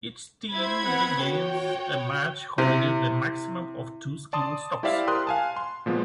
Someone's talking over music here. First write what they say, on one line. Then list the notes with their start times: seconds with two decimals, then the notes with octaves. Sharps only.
Each team begins a match holding the maximum of two Skill Stocks.
0.52 E4 C5 B5 G#6
0.83 B3 C4 F#5
1.21 F#4 C#5 G5
2.58 C3 E4 E5
4.33 D5 A5 C6 D#6
4.83 E4 G4 C5 D5 E5 F5
5.07 G4 A#4 C5 C6 D#6 F#6
5.27 F5 G#5 A5
5.56 C6
5.86 A#2 F3 G#3 B3